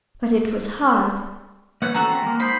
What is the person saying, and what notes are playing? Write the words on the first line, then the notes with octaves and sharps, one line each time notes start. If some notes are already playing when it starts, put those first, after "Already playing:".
But it was hard.
A3 B4 C#5 F#5
E3 C#4 F#4 A4 A#5
A3 C4
G#3 A#3
D#4 C5 B5